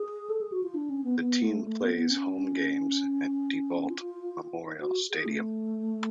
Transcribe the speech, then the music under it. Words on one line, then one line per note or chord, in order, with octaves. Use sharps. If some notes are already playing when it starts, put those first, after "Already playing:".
The team plays home games at DeVault Memorial Stadium.
Already playing: G#4
A4
G#4
F#4
F4
D4
C#4
B3
B3
A3
A3
B3
B3
C#4
F4
F#4
G#4
A3